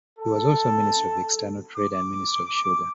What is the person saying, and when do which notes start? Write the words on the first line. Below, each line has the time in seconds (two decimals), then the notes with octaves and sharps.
He was also Minister for External Trade and Minister for Sugar.
0.19 A4
1.75 D6